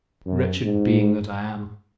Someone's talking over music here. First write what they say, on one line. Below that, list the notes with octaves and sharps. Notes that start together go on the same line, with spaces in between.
Wretched being that I am!
F#2
G#2